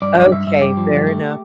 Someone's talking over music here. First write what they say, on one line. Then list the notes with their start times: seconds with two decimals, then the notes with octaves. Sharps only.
Okay, fair enough.
0.02 G2 D5
0.17 G2 D5
0.31 G2 E5
0.47 G2 E5
0.62 G2 G4
0.77 F3
0.92 G2
1.07 A3